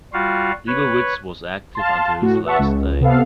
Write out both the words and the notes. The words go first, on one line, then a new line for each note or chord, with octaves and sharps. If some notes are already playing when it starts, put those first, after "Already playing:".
Leibowitz was active until his last day.
G3 F4 F#4 F5
B4 C#5
F5 A5 C6
A2 F#4
B4 E5 F#5 A5 C#6
C#2
C3 B3 A4 F5